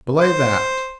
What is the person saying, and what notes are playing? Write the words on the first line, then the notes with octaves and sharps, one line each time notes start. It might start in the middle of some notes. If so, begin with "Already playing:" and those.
"Belay that!"
C5